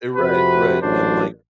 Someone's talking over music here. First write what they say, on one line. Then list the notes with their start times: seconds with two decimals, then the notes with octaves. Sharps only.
Eh, right, right, and like
0.16 F2 C3 F#4 B4
0.82 A1 F#2 F#3 D4 C5